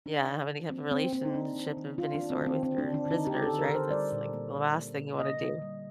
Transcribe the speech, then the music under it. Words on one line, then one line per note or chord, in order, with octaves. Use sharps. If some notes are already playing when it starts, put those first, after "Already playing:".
yeah. Have any type of relationship of any sort with your prisoners, right? That's, like, the last thing you wanna do.
D#3 D4
D#3
D#3
A#3 C4
A#3 C4
A#3 C4
D#4
A#3 D4
D#3
D#3
D#3 F4
D4
A#3
C4
D#3
C4
D3 C4
D4
D3
D4
D3
D#4
D3 G4
A4
D3
A#4
D3
C5
G3 D5
A#2
A#3
A#2
A#3
A#2
A#3 D#5
D3
G3